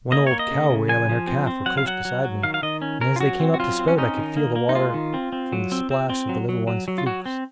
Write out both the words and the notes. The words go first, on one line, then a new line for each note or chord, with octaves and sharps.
One old cow whale and her calf were close beside me, and as they came up to spout I could feel the water from the splash of the little one's flukes.
A#3 D#5
A#3 C#5
D#5
C#3
C#3
F3 G#5
F3
C4
C4
F#3 F#5
F5
F#3 F#5
F#3
F#3
D#3 F5
F5
D#3 D#5
C#4
C#4 A#4
F4
F#3 F#4
C4
F#4
F#3 F4
C4
C#4
C#4 D#4
D#3
A#3
A#3
D#4
G#3 F4
D#3
C4
C4
F#3
C4
C4
C4
F#3
F#3
F#3
F#3
F4
F#3 F#4
C4